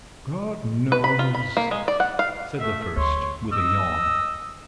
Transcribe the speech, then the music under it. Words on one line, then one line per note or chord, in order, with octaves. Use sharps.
"God knows," said the first, with a yawn.
B4
B5
F4
B5
A#3
G#3
D5
F#5
F5
A3 E5
D2 C#5 C6
D#5 E6